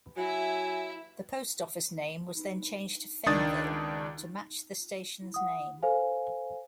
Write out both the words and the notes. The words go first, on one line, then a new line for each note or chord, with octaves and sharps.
The post office name was then changed to "Fennville" to match the station's name.
F#3 E4 E5 G#5
C#2 D#3 D4 D#6 A6
F#5 D#6
A4 C5 F5 G#5